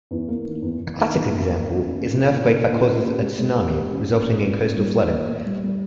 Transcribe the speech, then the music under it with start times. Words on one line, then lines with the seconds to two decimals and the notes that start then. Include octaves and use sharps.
A classic example is an earthquake that causes a tsunami, resulting in coastal flooding.
0.11 E2
0.28 A#3
0.45 D#3
0.62 E2
0.80 E2
0.97 D#3
1.14 E2
1.31 A#3
1.49 A#3
1.66 E2
1.83 C#4
2.01 A#2
2.18 C#4
2.36 A#2
2.52 A#2
2.70 A#2
2.87 C#4
3.04 G4
3.21 G#3
3.39 G#3
3.55 G4
3.73 G4
3.90 C#4
4.08 C#4
4.25 A#2
4.42 C#4
4.60 A#2
4.76 G3
4.94 A#2
5.11 A#3
5.28 A#3
5.46 G3
5.63 G3